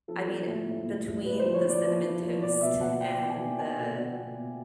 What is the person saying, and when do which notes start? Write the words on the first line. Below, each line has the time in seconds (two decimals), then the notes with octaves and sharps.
I mean, uh, between the cinnamon toast and the
0.08 F3 A4
0.27 F3
0.47 A2
0.67 A2
0.86 A2
1.06 A2
1.25 A2 B4
1.39 C5
1.45 F3
1.54 C#5
1.64 F3
1.69 D5
1.84 F3
2.03 F3
2.23 F3
2.42 B2 D5
2.61 B2 E5
2.81 B2 F#5
3.00 B2 G5
3.20 B2
3.29 G#5
3.39 B2
3.59 B2 G#5
3.78 B2
3.98 B2
4.17 B2
4.37 B2